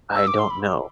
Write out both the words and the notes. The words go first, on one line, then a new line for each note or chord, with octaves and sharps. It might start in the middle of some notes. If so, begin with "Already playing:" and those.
I don't know.
E6
D6
C6
B5